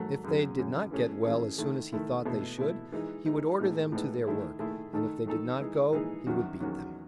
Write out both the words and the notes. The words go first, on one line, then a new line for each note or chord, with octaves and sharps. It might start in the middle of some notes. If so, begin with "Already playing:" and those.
If they did not get well as soon as he thought they should, he would order them to their work, and if they did not go he would beat them.
Already playing: G#2 F#3 A3
F#2 C#3 F#3 C#4
F#2 C#3 F#3 C#4
E3 A3 C#4 G#4
E3 A3 C#4 G#4
D#3 A3 E4
D#3 A3 E4
B2 A3 E4
B2 A3 E4
E3 G#3 D#4
E3 G#3 D#4
A2 E3 G#3 B3 D#4
A2 E3 G#3 B3 D#4
D#3 A3 E4 G#4
D#3 A3 E4 G#4
D#3 A3 D#4 A4
D#3 A3 D#4 A4
E3 G#3 D#4 G#4
E3 G#3 D#4 G#4
E2 D#3 F#3 C#4 F#4
E2 D#3 F#3 C#4 F#4